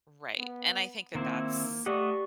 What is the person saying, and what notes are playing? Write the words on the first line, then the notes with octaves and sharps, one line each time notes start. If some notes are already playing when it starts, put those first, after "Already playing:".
Right, and I think that that's
B3
D#3 A#3 C4 E4
A3 G4 D5 D#5 F#5 C#6